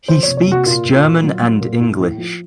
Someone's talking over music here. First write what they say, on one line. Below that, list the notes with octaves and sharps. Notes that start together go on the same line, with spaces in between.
He speaks German and English.
F3 C5
C3 C#5
C#5
C3 F#4
A#2 F4
A#2
F4
A#2
F#3
F#3
A#2
A2
A2
F3